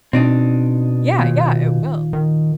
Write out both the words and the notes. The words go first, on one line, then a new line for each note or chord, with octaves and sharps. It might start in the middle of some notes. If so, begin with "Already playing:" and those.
Yeah, yeah, it will.
B2 C4 D4 D#4
D#2 A#2
D#3